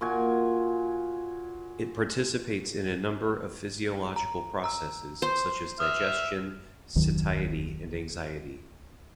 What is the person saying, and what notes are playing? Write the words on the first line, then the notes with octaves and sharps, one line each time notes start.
It participates in a number of physiological processes such as digestion, satiety and anxiety.
A#2 F#4 G#5
A#5
A#5 E6
C5
E5 D#6 F6
F1 D2 D#3 F#3